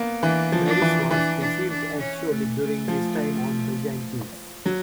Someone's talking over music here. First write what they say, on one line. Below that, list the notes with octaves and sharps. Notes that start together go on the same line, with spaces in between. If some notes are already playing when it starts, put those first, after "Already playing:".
Maris was perceived as surly during his time on the Yankees.
Already playing: A#3 B3
E3 D4
F3
D4
E3
E3 D4
D4
D4
C#4
A3
A3
F3
F#3